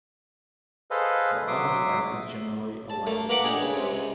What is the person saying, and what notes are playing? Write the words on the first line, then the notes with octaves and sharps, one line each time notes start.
The underside is generally a lighter gray.
G#4 A4 B4 C5 D#5 F5
F#3 E5 C6 D6 D#6
A5
A3 A#3
A#3 A#4 B4 F#5 D6
D4 G4 G#4 D#5
C#3
C#2 C3